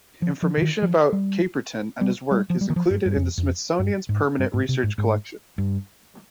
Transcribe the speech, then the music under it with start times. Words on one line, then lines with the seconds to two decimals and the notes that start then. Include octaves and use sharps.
Information about Caperton and his work is included in the Smithsonian's Permanent Research Collection.
0.22 F3
0.42 F3
0.57 D3
0.62 D#3
0.82 F3
1.13 G3
2.01 G3
2.31 G3
2.50 F3
2.61 G3
2.70 D#3
2.76 F3
2.91 G2
3.06 G2
3.16 F2
3.38 F2
3.80 G2
4.09 G#2
4.39 G2
4.54 G#2
4.69 C3
4.84 G#2
4.98 G#2
5.58 G2